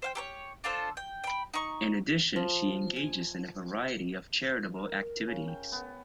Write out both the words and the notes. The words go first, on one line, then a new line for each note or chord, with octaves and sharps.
In addition she engages in a variety of charitable activities.
C5 F5 G5
G4 A4 C#5
D4 F4 A4 C5
G5
G5 B5
D#4 C#6
F3
G#5
A#4
C#3
G5
B3